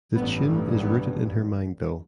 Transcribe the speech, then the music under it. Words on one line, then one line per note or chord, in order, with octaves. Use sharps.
The tune is rooted in her mind though.
A1 G2 B3
A3
B3